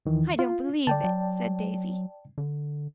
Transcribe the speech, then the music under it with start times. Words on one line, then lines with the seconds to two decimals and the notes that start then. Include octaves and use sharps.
"I don't believe it!" said Daisy.
0.06 D#2 D#3 E3
0.39 F4
0.87 D3 D5 G5 A5
1.04 F#3
2.38 D3